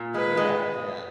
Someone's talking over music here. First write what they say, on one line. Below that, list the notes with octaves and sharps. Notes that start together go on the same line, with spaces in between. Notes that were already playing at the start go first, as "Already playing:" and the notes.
Yeah, yeah.
Already playing: A#2
G#3 B4
G#3